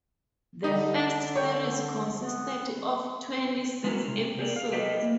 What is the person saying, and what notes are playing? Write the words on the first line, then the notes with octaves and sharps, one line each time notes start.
The first series consisted of twenty-six episodes.
D3 G3 D#4
C#5 G5
B3
G#3 C#4 E4 F#4 A#4
C3
G4 G#4 A#4 D5
F5
G4 A4 B4 D#5 E5 G5
A#3